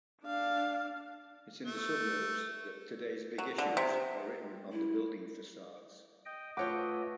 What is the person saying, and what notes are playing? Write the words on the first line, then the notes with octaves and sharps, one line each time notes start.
It's in the suburbs that today's big issues are written on the building facades.
D4 F5
A3
F#3
D3
C3
E4
D#5 G5
A3 F4 B4 C#5 D#5 F#5 G5 D6